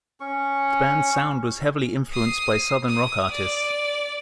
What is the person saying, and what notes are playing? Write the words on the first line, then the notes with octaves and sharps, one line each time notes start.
The band's sound was heavily influenced by Southern rock artists.
C#4 C#6
D#6 C7
D#6
D5